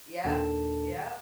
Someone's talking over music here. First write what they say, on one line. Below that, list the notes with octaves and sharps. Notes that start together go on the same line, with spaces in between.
yup, yup.
D#2 A#2 D#3 D4 A4 A5